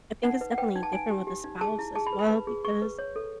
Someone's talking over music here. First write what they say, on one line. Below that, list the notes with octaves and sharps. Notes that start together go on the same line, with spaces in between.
I think it's definitely different with a spouse as well because,
D#4 F#5
B4
F#5
B4 G5
D#4
A5
D#4 G#5
G4
G4
D#4
G#4 A5
E4
G#4 A5
B5
B4
B5
B4
G#4
G#4 C#6
B4
C#5
A4